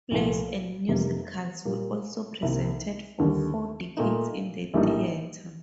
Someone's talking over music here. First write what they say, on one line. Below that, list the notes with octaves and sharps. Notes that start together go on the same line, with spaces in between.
Plays and musicals were also presented for four decades in the theatre.
C2 A#2 F3 A3
F1 F2 C3 G3 A#3
A#2 G3 A#3
C2 C3 D#3 A#3
D#2 D3 G3
A#2 A3 D#4
A#1 A2 G3 A#3 D#4